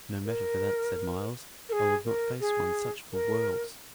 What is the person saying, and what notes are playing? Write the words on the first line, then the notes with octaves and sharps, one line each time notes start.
"No matter for that," said Myles; "I would not face one such for worlds."
A#4
A#4
G#4
A#4
G#4
A#4